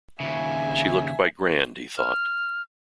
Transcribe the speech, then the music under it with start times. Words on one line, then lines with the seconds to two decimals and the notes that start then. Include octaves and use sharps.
She looked quite grand, he thought.
0.20 D#2 C#3 E5 G#5
1.98 F6